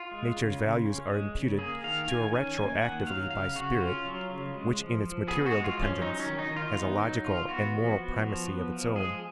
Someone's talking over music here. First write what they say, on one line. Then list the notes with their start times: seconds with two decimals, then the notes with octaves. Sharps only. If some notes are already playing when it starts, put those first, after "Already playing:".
Nature's values are imputed to her retroactively by spirit, which in its material dependence has a logical and moral primacy of its own.
Already playing: F4
0.11 G#3
0.36 C#3
0.61 C#3
0.86 C#4
1.10 G#3
1.34 C#3
1.59 A#3 G#4
1.84 D#3 F5
2.08 D#3 G#5
2.33 C#4 G#5
2.58 A#3 G#5
2.82 D#3 F#5
3.07 F#3 F5
3.31 C#3 F5
3.56 C#3 F#4
3.80 C#4 F4
4.05 F#3
4.30 C#3
4.54 G#3
4.79 F3
5.03 F3
5.28 B3 G#4
5.46 F#4
5.52 G#3
5.64 F4
5.77 F3
5.83 C#4
6.01 F#3 D#4
6.20 C#4
6.26 D#3
6.39 D#4
6.51 D#3
6.56 F4
6.75 B3 D#4
7.00 F#3 D#4
7.24 D#3 F4
7.49 B3 F#4
7.73 F3
7.98 B3
8.23 F3
8.48 B3
8.72 F3
8.96 G#3 G#4